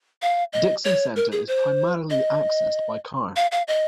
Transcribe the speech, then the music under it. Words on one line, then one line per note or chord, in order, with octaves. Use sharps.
Dickson Centre is primarily accessed by car.
F5
D#5
C#5
A#4
G#4
C5
D#5
F5
F5
D#5